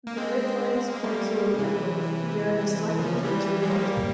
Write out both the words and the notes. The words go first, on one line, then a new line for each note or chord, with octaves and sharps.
The grid lines point to a Grid North, varying slightly from True North.
A#3
G#3 C4
A#3
G#3
G3 A#3
C#3
C3 E3
E3
C#3 F3
E3 G3
E3 G3
G#3
G3 A#3